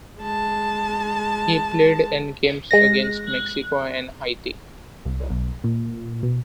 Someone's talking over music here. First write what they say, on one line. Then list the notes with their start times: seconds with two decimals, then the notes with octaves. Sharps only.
He played in games against Mexico and Haiti.
0.20 G#3 A5
2.71 G#3 A#6
5.05 C2
5.30 B1
5.64 A#2
6.23 B2